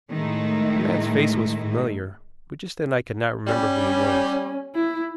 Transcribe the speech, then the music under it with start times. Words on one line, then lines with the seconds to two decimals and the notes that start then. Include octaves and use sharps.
The man's face was familiar, but just then I could not remember who he was.
0.11 A2 D#3 G#3 A3 D#4 E4
3.47 G3 C#4
4.75 E4